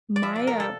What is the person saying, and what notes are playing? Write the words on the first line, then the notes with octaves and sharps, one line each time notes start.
My, uh
D5
F3 E5
C3 D5
A#4
C3 A4